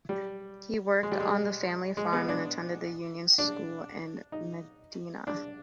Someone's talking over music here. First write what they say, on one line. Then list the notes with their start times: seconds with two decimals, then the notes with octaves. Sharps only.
He worked on the family farm and attended the union school in Medina.
0.09 G3
1.03 G#3
1.12 G3
1.20 G#3
1.97 G#3
2.13 B3
2.29 D4
3.38 D4
4.32 D#4
5.27 D4